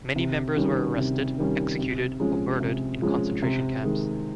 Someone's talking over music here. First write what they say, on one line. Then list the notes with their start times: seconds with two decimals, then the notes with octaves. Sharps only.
Many members were arrested, executed or murdered in concentration camps.
0.16 C3
0.56 D#3 G3 C#4
0.97 C3
1.38 D#3 G3 C#4
1.79 C3
2.20 F3 G#3 C#4
2.60 C3
3.02 F3 G#3 C#4
3.42 C3
3.84 D#3 G#3